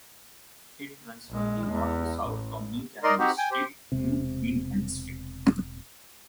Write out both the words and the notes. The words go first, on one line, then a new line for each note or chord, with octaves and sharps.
It runs roughly north to south from New Cavendish Street to Queen Anne Street.
A#1 G#3
E2
A1
D#4 A#4 D5 D#5 C6
C4 D#4 F#4 G4 C5
G5 G#5
G4 C5
E1 C3